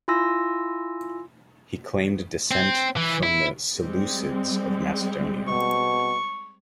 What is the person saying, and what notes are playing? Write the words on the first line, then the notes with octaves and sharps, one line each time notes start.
He claimed descent from the Seleucids of Macedonia.
E4 F4 G#5 C6 E6 A#6
C4
E3
E4
G3 G#3 C4
B2 C#6